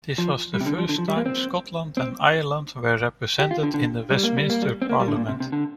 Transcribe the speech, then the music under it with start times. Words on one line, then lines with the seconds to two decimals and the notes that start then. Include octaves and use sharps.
This was the first time Scotland and Ireland were represented in a Westminster Parliament.
0.18 F3
0.54 G3
0.61 C3
0.66 D3
0.78 F3
0.89 D3
0.98 F3
1.08 G3
1.16 A#3
1.26 C4
1.97 C4
3.39 G4
3.51 F4
3.63 D3
3.74 D3
4.11 G3
4.23 A#3
4.37 G3
4.50 A#3
4.62 G3
4.82 C4
4.89 A#3
5.00 G3
5.08 D3
5.16 A#2
5.29 C3
5.40 C3
5.52 D3